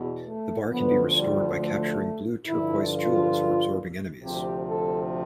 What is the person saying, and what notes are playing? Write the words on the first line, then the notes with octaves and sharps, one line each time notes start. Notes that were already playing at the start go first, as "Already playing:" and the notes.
The bar can be restored by capturing blue turquoise jewels or absorbing enemies.
Already playing: E2 B2
A3
D2 D3 F3 B3
G3
A3
G2 D3 F3 E4
F4
D2 C3 F3 G4
A4